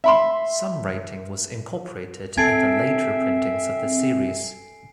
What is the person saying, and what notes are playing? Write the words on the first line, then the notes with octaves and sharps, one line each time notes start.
Some rewriting was incorporated in the later printings of this series.
E5 B5 C6
C4 A4 E5 G#5 A5 G#6 C7 D7